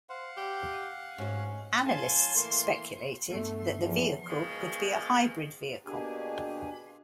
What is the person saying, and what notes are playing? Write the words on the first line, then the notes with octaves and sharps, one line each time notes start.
Analysts speculated that the vehicle could be a hybrid vehicle.
C5 F5 F#5
G4
G#2 C#4 F#4
A2 F#3 F5 G#5 A5 C6
A2 E3 A#3 C6
G2 A3 B3
E2 F3
B2 D#3 F3 G#3
B2 A#3 D4 G4 G#4 G#5